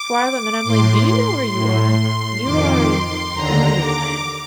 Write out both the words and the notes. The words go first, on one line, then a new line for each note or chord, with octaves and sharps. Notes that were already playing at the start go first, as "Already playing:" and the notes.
fly them, and I'm, like, "Do you know where you are? You are in Union land."
Already playing: D6
A2 C6
A2
F2 D#3 D6
C6
C6
D#2 D3 A#5
D6